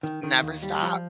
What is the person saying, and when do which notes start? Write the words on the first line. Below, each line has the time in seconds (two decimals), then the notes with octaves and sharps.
Never stop.
0.03 D#3
0.23 D#3
0.43 D#2
0.63 G3
0.83 F3